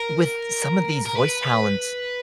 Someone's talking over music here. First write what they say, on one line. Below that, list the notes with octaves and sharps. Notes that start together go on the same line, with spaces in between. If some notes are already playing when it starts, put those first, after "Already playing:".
with some of these voice talents,
Already playing: A#4
A#4
B4